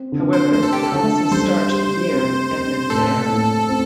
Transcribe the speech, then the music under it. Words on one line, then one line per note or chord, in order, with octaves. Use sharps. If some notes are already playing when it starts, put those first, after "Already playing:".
However, the promising start to the year ended there.
Already playing: C4
D3
C5
A3 C5
A4
G4
A4
D3
G3 C5
G4
C4
C4
A2 A4
A2
C4